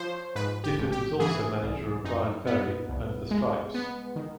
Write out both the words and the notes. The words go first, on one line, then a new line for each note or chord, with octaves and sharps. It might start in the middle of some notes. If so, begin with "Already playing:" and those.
Difford was also manager of Bryan Ferry and The Strypes.
Already playing: F3 C5 C#5
G#2 B4
G4
A1
G4
E3 G#4
C2
F#2 D#4
B3
C2
G#3
B3
D#3